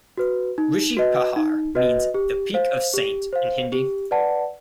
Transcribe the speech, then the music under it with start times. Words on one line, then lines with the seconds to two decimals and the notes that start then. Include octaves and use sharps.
Rishi Pahar means 'The Peak of Saint' in Hindi.
0.17 F#4 B4
0.58 D#4
0.97 F#4 B4 D#5
1.36 D#4
1.75 F#4 B4 D#5
2.14 G4
2.54 C5 F5
2.94 G4
3.33 C5 F5
3.72 G4
4.11 B4 D5 F#5 A5